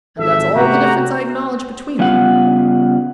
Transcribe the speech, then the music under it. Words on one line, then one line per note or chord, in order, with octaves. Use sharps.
And that's all the difference I acknowledge between them.
G#1 A4 E5
C3 A3 F#4 G4 A#5
C#3 G3 B3 F4 F#5